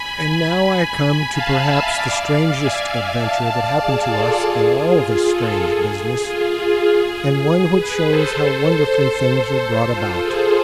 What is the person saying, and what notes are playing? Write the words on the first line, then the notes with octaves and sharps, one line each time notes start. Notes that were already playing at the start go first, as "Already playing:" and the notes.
And now I come to perhaps the strangest adventure that happened to us in all this strange business, and one which shows how wonderfully things are brought about.
Already playing: G#5 B5
F5 A5
E5 G#5
D5 F5
E5 G#5
E5 G#5
F5 A5
D5 F5
G#4
F4 A4
G#4
F4
G#4
F4 A4
G#4
G#4
F4
G#4
G#4 B4
A4 C5
A4 C5
F4 A4
G#4